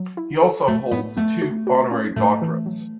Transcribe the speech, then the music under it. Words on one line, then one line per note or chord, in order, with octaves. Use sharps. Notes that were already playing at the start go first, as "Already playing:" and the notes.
He also holds two honorary doctorates.
Already playing: F#3
E4
A4
A3 F#4
A2 B3
A3 B3
F#4
F#4
C#4
A2 A3
E3
F#3